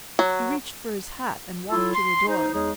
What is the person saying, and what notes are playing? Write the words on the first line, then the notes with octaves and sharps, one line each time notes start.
He reached for his hat and walked to the door.
F#3
F#3 E4 F4 A4 E6
C6
D#4 C5
E2 G#3 D#4 G#4 C#5 D#6